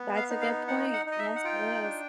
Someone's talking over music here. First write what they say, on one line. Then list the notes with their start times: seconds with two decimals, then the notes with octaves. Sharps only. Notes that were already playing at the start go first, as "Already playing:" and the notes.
That's a good point. Yes, it is.
Already playing: B3
0.16 F5
0.30 D#4
0.41 F5
0.67 D#4 F#5
0.93 F#5
1.06 D#4
1.12 D#5
1.19 E5
1.36 F#5
1.45 F4 G5
1.83 D4